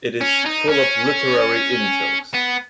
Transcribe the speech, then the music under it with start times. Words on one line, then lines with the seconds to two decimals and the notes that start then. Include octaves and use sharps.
It is full of literary in-jokes.
0.21 C#4
0.46 D#4
0.69 C#4
2.34 B3